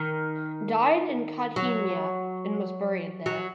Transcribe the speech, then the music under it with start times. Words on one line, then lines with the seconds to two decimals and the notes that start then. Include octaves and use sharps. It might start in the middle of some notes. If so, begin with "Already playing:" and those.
Died in Kadhimiya and was buried there.
Already playing: D#3
1.56 F#3
3.26 F#3